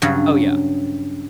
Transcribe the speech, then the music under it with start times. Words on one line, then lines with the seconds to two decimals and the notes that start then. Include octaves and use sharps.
Oh, yeah.
0.02 G2 C#3 F#3